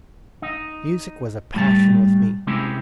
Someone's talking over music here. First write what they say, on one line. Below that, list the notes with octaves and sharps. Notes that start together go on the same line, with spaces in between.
Music was a passion with me.
D#4
A2 G3 A5
C3 G#3 C#4 E4 G4